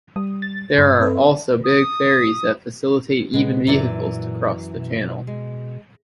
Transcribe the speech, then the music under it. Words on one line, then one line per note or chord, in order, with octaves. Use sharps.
There are also big ferries that facilitate even vehicles to cross the channel.
G3 D#6
A6
G2 C6
C4 A4 B4
D#6
A#2 G#3 B3
F#2 E3 D5
B2
G#3